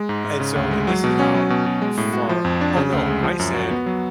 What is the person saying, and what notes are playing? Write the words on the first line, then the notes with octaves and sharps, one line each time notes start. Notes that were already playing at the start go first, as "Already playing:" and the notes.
And so and this is how far Oh, no. I said,
Already playing: G#3
G#2
G#2
C#3
D2
G#3
F#3
B2
C#4
F#3
B2
B2
G#3
A2
F#4
F3
F2
D4
C#3
D2
G#3
F3
F#2
F#4
B3
F#3